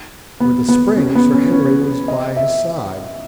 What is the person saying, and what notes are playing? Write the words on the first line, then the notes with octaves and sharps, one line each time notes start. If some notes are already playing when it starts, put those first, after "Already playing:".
With a spring Sir Henry was by his side.
B3
B3
C#4
B3
C#4
C#4
D#5
E5